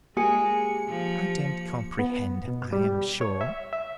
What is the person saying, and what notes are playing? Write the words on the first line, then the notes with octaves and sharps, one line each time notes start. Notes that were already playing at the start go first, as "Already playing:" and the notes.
"I don't comprehend, I am sure."
G#3 A#3 G4 G#4 C#7
F3
B3
B2
G3
C#5
E5
E5